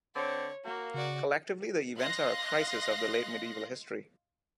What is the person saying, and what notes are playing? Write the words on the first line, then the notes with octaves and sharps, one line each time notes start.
Collectively the events are a crisis of the Late medieval history.
D3 C4 C#5
A#3 F#4
C#3 F#4 D5
D#5 F5 C6 F#6 A#6